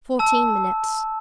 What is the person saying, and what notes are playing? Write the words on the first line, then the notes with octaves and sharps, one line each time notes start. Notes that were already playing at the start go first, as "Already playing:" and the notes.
Fourteen minutes.
A5 E6